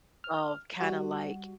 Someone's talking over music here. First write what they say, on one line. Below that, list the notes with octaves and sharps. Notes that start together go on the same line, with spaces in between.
of kinda, like,
F6
G3 F#4